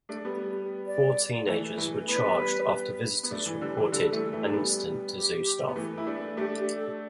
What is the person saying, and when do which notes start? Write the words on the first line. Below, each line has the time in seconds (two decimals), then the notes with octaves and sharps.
Four teenagers were charged after visitors reported an incident to zoo staff.
0.09 A3 D4
0.25 G3 B3
0.86 D5
1.47 E3 A3
1.78 E3 A3
2.08 B3 B4
2.16 D4
2.23 G3 B3
3.23 B3
3.31 A3 D4
3.46 E3
3.61 D3 G3
3.77 E3 E4
3.84 G4
3.92 D3 G3 A4
4.12 E3 A3
4.33 E3 A3
4.44 D4
4.53 G3 B3
5.15 G4
5.68 B3
5.76 E3 A3
5.98 E4
6.07 A3 D4
6.37 A3 D4 G4
6.58 G4
6.78 A4